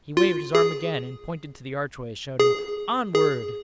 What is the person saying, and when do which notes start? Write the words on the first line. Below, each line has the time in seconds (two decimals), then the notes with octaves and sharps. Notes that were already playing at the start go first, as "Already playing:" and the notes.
He waved his arm again and pointed to the archway, shouting "Onward!"
0.17 F4
0.55 G#4
2.40 G#4
3.15 G#4